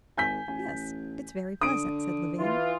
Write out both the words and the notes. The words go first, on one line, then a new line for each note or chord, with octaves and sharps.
"Yes, it's very pleasant," said Levin.
G#1 G#5 G6 B6
A1 G#5
D3 D#6 D7
E3 F4